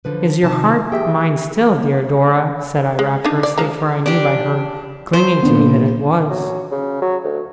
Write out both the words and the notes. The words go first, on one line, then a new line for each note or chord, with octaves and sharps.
'Is your heart mine still, dear Dora?' said I, rapturously, for I knew by her clinging to me that it was.
D3 F3 B4
C3 D#3 A5
G4 G#4 E5 G5
G#3
D4 D#4
D5
F3 G#3 A#5
D4 G4
C5
A#2 D3 B3
F#3
C#3
F#3
D2